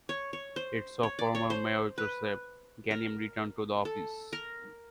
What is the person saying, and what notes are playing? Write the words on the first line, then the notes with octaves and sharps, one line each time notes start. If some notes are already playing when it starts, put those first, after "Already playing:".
It saw former mayor Joseph Ganim return to the office.
C#5
C#5
C5
C#5
D5
C#5
C5
B4
A#4
A4
A#4